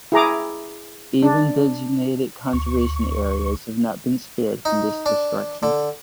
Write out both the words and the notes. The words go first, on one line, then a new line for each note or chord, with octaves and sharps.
Even designated conservation areas have not been spared from this destruction.
E4 G#4 A#5 D6
D4
D2 C#6
D#4
D4
D3